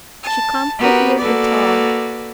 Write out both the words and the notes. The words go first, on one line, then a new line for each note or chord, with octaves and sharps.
She come for hear guitar.
A5
B3 F#4 G4 A#4 B4
A#3 F#4 A4 B4 D5